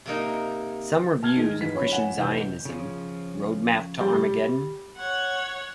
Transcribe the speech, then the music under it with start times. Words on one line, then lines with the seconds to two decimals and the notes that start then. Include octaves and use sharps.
Some reviews of Christian Zionism - Road Map to Armageddon?
0.06 C3 A#3 D#4
1.23 A5 F6 G#6
1.36 D#3 G#3
1.60 G#2 E3 B6
1.74 F3 C#4 B5
1.92 F#5 G#5 E7
2.17 F1 E3 G6
2.65 C#3 F3
4.01 G3
4.96 C#5 F#5